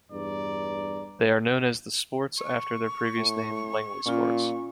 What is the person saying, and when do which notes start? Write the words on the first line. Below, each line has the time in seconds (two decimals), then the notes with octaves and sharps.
They are known as The Sports after their previous name as Langney Sports.
0.11 E2 G2 D5 A#5
2.38 C#6
3.17 A2
4.06 A#2 C#4 F4